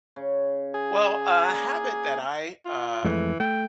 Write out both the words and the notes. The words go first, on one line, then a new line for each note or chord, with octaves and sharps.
Well, a habit that I, uh,
C#3
G#4
A#3 D5
F4
F2 E3 G#3 A3
A3 G5